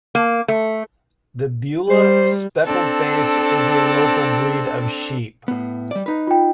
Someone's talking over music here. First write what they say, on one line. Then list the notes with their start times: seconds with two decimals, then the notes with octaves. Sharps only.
The Beulah Speckled Face is a local breed of sheep.
0.15 A#3
0.48 A3
1.90 G3 C5
2.64 C4 D4 A4
5.48 A2 B3
5.91 G3 D5
6.06 D#4 B4
6.27 F4 G5